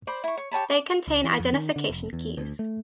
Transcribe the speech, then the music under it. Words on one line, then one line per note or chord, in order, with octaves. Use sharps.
They contain identification keys.
C5 D5 B5 D6
E4 C#6
C#5
G4 C#5 A5 B5
D6
C#2
E3
F2
D#3
D3
F1
E2
D2
A3